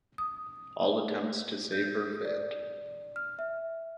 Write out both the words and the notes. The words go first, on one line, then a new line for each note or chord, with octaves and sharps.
All attempts to save her failed.
D#6
G6
D5
F6
E5